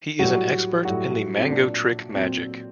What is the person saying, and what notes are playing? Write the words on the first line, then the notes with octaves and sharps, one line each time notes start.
He is an expert in the "Mango Trick" magic.
A2 F#3 G3 F#4
A2 F#3 G3 F#4
C4
A#2 F#3 D4
A#2 F#3 C4